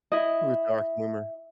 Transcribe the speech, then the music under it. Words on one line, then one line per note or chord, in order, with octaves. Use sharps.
With dark humor.
E4 D#5